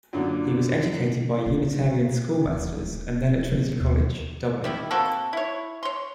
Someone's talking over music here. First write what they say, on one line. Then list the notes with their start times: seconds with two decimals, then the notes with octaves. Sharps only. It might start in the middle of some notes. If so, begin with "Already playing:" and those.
He was educated by Unitarian schoolmasters and then at Trinity College, Dublin.
0.13 F#2 A#2 D3
1.46 D#4
1.83 B2
2.45 D#1
2.74 D1
3.51 B3
3.81 D#2
4.64 D#3 G3 E4
4.91 A#3 C4 F#4 A4
5.33 E4 C#5
5.83 C#5 C6